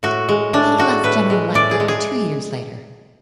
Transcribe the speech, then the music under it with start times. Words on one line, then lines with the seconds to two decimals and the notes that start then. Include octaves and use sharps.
He left General Electric two years later.
0.03 A2 F#4
0.29 G#3
0.53 A2 D4
0.78 A2 F#4
1.04 A2 B4
1.30 G#3
1.54 A2 D5
1.71 G#4
1.80 G#3
1.88 G#4